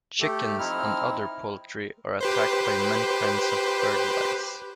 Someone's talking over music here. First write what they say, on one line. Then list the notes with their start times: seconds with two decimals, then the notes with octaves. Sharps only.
Chickens and other poultry are attacked by many kinds of bird lice.
0.20 A3 G4 A4
0.58 F3 C4 D#4 E4 F6
2.21 G4 B4 C5